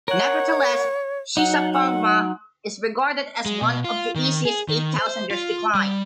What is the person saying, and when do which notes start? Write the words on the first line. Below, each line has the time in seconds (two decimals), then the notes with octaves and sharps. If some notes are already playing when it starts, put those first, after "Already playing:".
Nevertheless, Shishapangma is regarded as one of the easiest eight-thousanders to climb.
0.08 A#4 C#5 F#5
1.37 F#3 D#4 F#5
1.73 F#5
3.46 G#3
3.61 B2
3.84 F4
4.16 D#3
4.45 G#4
4.69 D#3
4.99 C5
5.31 F4
5.75 G3